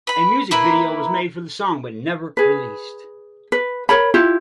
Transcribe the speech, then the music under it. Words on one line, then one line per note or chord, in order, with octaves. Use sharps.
A music video was made for the song, but never released.
B4 B5
A#3 E4 A#4 B4
G#4 B4
B4
A#4 C#5 B5
E4 F4 G4